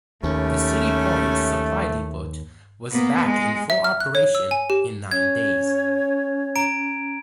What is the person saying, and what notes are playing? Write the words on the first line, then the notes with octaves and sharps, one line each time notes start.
The City Point supply depot was back in full operation in nine days.
D#2 G3 A3 C#4
A#3 B3
G#3
E5
F6
F#6
C#5
E6
G#5
G4
C#4 C#5 G#6
A#5 D7